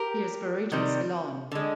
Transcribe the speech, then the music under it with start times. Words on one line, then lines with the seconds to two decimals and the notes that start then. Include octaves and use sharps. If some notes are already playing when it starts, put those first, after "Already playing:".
He is buried in Ceylon.
Already playing: G4 A#4
0.72 C3 D#3 G3
1.52 D3 G#3